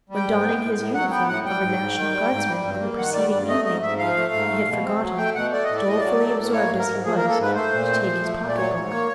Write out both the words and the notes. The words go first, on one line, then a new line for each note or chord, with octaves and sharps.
When donning his uniform of a National Guardsman on the preceding evening, he had forgotten, dolefully absorbed as he was, to take his pocket-book.
G3
G5
G#2
B3
A2
A2
F#3 F#5
B3 G5
A2 F#5
G3 G5
G#2
G#2
D#3
G3
G#2
G3
G2
A#3
D#3 F#5
G3 D5
G2 D5
A3 D#5
G#2 D#5
G#2 E5
F3 F5
A3
G#2
A3
B2
C4
F#3
A3 G5
B2 F#5
A3 D5
A2 D#5
D5
A2 D#5
F#3 D5
A3
A2
A#3 C#5
G#2
A#4
G#2
F3 G#4
A#4
A#3
A4
G#2 B4
A3 C5
A#2
C4
F3
A3
A#2
D5
F#3 C#5
G#2
A#3